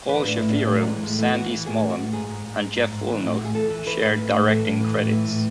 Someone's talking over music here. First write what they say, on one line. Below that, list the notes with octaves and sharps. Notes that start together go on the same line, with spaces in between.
Paul Shapiro, Sandy Smolan, and Jeff Woolnough shared directing credits.
E3 B4
A2 D4
A2 E4
D4
A2
C#4
E3 D4
F#3
E3 G#3
A2 G#3
E3 A3
E3 F#4
E3 F#4
A2 G#4
E3
F#4
A2
G#2 G#4
G#2
G#2
G#2
G#2
G#2
E3
D4
A2 E4
A2 F#4
G#4
E3 A4
E3 A4
E3 B4
A2 B4
A2
A2
E3 A4
A2
E3
A2
E3
A2